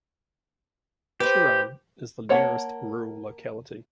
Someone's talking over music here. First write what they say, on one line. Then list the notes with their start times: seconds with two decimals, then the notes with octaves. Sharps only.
Turan is the nearest rural locality.
1.20 G4 B4 C5
2.29 A#3 C#5 F#5 A5